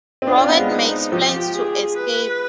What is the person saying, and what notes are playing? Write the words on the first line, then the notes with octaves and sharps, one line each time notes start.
Robert makes plans to escape.
C4
D4 F4
C4
B3
G#3
D#4
F3 G4
G#4
B4